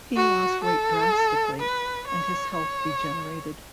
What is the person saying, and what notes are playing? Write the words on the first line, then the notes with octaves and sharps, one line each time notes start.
He lost weight drastically and his health degenerated.
F#4
A4
B4
C#5
C#5